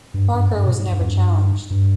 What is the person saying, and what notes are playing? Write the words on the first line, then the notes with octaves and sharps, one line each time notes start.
Parker was never challenged.
G2
G2
G2
B2
G#2
G2
F2
G2
G2